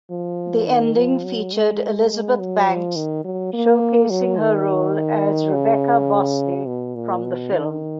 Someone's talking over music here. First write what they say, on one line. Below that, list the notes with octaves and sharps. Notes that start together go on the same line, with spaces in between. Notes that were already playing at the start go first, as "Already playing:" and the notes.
The ending featured Elizabeth Banks showcasing her role as Rebekah Bosley from the film.
F3
D#3
F3
F#3
G#3
G#3
F#3
F3
D#3
F#3
A#3
F#3
D#3
C#3
B2
A#2
B2
D#3